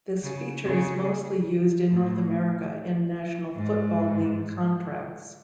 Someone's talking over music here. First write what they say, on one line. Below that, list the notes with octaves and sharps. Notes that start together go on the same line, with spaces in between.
This feature is mostly used in North America in National Football League contracts.
C#3
C#3
A2
G#2